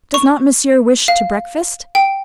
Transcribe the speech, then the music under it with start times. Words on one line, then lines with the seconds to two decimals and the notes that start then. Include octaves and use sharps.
"Does not Monsieur wish to breakfast?"
0.14 C#6
1.08 F5
1.95 G5